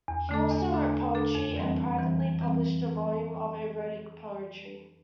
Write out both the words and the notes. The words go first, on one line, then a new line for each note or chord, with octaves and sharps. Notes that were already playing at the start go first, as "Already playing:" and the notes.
He also wrote poetry and privately published a volume of erotic poetry.
E2
D3 A3 D4 A4
E2
D3 A3 D4 A4
E2
D3 A3 D4 A4
F2
E3 G3 C4
F2
E3 G3 C4
F2
E3 G3 C4